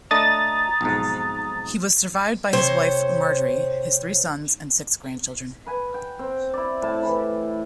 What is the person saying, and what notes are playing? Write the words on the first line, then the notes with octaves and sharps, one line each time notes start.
He was survived by his wife, Marjorie, his three sons and six grandchildren.
A3 D4 D#5 A#5 D#6 A6
B1 F2 G#2
C3 C5 C#5
B4 G#5
G5
C4 G5
E4 D5
A2 E4 A5
E3 B5